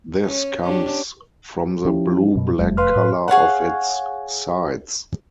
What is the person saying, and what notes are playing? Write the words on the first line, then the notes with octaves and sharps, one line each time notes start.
This comes from the blue-black colour of its sides.
C#4
C#4 D4 G4
F3 C#4 E4 G4
F#2 B2 F#3
E1 F2 G3 A3
B4 F5 C6 F6
A2
G#4 C#5 F5 F#5